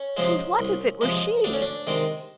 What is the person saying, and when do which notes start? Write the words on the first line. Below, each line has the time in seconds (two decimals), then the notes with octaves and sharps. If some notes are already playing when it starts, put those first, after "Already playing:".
And what if it were she!
Already playing: C#4
0.17 C3 F3 G#3
0.59 C2
1.01 C3 F3 G#3
1.44 D2 D4
1.53 C#4
1.62 D4
1.87 C3 D#3 G#3